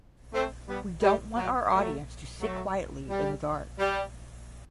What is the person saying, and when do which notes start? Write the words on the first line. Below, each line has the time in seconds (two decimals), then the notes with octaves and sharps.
We don’t want our audience to sit quietly in the dark.
0.34 A3 C4
0.68 G3 B3
1.02 G3
1.37 F#3
1.72 F#3 A3
2.40 F#3 A3
3.10 G3
3.79 G3